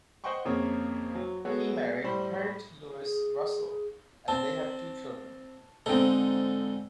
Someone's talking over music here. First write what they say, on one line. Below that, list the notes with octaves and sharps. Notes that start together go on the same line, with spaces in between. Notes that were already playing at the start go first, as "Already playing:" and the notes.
He married Harriett Louise Russell and they had two children.
C5 D#5 F#5 G5 C6 C#6
F2 C#3 A#3 C#5
F#3
G#3 B3 F#4 A4 C#5
A2 G3 C5 B5
G#4
C4 A5
G#2 D3 C4 D#4 A4